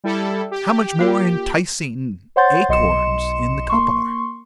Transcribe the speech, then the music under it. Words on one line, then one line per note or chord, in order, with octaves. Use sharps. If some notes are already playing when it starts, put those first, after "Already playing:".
How much more enticing acorns in the cup are!
G3 E4 A4
G4
A#3 F4 A#4
C5 C#5 F#5 C6 G6 A6
B1 D#5 C6 C#7 E7
A#3 C6 C#6